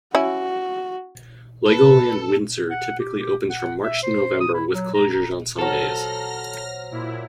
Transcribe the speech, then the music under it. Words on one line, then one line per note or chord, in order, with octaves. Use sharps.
Legoland Windsor typically opens from March to November, with closures on some days.
C#4 E4 F#4
A4 B4
F#5
G4
G4
F#5
E5
C5
D#6
E4
F#3
A#5
A#5
F#3 A4 C5 F6 A#6
A#2 E4